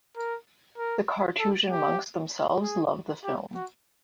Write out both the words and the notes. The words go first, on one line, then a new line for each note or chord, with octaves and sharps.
The Carthusian monks themselves loved the film.
A#4
A#4
A4
G4
G#4
G4
F#4